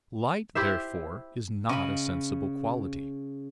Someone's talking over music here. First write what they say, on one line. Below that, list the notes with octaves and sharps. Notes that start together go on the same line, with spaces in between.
Light therefore is not a sensible quality.
E4 G4 C5 E5
C#3 D#5 B5